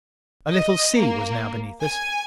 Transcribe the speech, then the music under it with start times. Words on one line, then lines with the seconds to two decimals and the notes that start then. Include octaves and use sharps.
A little sea was now beneath us.
0.49 D#5
0.97 A#3
1.83 G#5